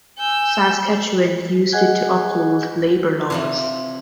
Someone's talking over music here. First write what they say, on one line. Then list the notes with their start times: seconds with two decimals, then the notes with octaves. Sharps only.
Saskatchewan used it to uphold labour laws.
0.18 G#5 E6 G6
1.72 G#4 D#5 F#5 G#5 F#6 G#6
3.30 C3 E3 F3